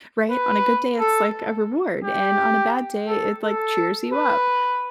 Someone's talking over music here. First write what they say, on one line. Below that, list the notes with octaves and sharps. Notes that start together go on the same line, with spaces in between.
Right? On a good day, it's, like, a reward, and on a bad day, it, like, cheers you up.
B4
A4
G4
A4
A4
B4